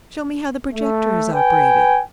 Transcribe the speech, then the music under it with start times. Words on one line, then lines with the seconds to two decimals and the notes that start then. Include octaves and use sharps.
Show me how the projector is operated.
0.71 A3
1.34 B4 G5 G#5